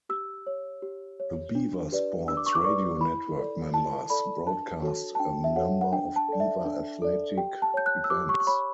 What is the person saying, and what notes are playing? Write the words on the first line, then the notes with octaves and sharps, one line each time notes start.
The Beaver Sports Radio Network members broadcast a number of Beaver athletic events.
G4 E6
C#5
G4
C#5
D4
G4 B4 D5
D4 E6
D6
C#6
D6
G4 B4 D5 C#6
E4 B5
A4 D5
E4 A5
A4 D5 B5
D4 A5
F#4 A4 C#5
A5
D4 G5
E5
F#4 A4 C#5 F#5
F#5
D4 G5
A5
A4 D5
E5
D4
A4 D5
G4 G5
A5
C#5 G6
F#6
E6
G4 D6
C#6
C#6
C#5 B5